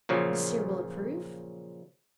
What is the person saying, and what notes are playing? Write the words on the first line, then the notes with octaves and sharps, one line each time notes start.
"Monsieur will approve?"
A#2 C#3 F3 F#3